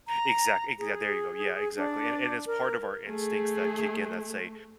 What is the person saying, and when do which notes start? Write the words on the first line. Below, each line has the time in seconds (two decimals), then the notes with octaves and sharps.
Exact exa there you go, yeah, exactly, and and it's part of our instincts that kick in that say,
0.08 A#5
0.79 G#4
1.77 D4
2.46 A#4
3.07 A3 G#4